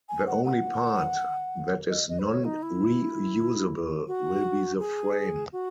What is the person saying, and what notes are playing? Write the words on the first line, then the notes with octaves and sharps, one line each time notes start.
The only part that is non-reusable will be the frame.
G#5
F#5
F#5
D#5
D#5
B4
C#5
D#4
E4
F#4
G#4
F#4